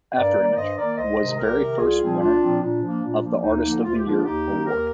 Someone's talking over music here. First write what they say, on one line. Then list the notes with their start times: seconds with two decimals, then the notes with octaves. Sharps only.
Afterimage was very first winner of the Artist of the Year award.
0.15 G2 A#4 D5
0.36 D#3 A#3
0.56 G2 C5 D#5
0.77 D#3 A#3 A#4 D5
0.97 C2 C5 D#5
1.18 C3 D#3
1.38 C2 G4 A#4
1.59 C3 D#3
1.79 C2 F4 G#4
1.99 A#2 F3 C4
2.20 C2 D4 F4
2.40 A#2 F3 C4
2.61 A#2 D4
2.81 F3 A#3
3.01 A#2
3.22 F3 A#3
3.42 D2 D#4
3.63 D3 F3 A#3
3.83 D2 F4
3.94 G4
4.04 D3 F3 A#3 D4 F4
4.24 D#2 D#4 G4
4.45 D#3 A#3
4.65 D#2 G4 A#4